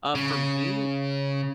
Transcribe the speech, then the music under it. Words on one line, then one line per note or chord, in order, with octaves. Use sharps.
Uh, for me,
C#3